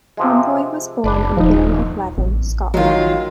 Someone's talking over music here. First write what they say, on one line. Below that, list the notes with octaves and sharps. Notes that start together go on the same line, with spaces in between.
Conroy was born in Vale of Leven, Scotland.
C3 F3 G#3
F#1 D4 B4 D5
D#1 F3 D#4
A1
D#3 F#3 G#3 F4